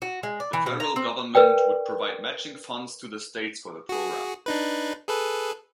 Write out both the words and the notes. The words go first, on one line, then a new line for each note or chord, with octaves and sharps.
The federal government would provide matching funds to the states for the program.
F#4
G#3
D5
E3
B2
A#5
C4
A#4 B4 D5 G5
F#4 G#4
D4 D#4 B4
G#4 A4 B4